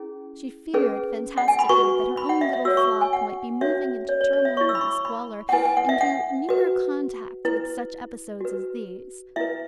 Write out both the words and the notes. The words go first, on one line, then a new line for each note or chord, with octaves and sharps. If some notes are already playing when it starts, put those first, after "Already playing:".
She feared, fantastically, that her own little flock might be moving into turmoil and squalor, into nearer contact with such episodes as these.
Already playing: C#4 E4 G#4
C#4 G#4 B4
F#5
G#5
B5
F#4 B4 C#6
B5
F#5
E5
E5
F#4 C#5 E6
C#6
G#5
F#5
C#4 F#4 C#5 E5
C#5
C#5
C#5
E5
E4 C#5 C#6
E6
B5
C#6
C#6
B5
F#5
E4 B4 G#5
G#5
F#5
E5
F#5
F#4 B4
E4 B4
F#4 B4
E4 B4 E5